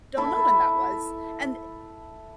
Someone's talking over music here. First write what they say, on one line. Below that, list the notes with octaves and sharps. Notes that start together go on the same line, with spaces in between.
don't know when that was, and,
E4 A4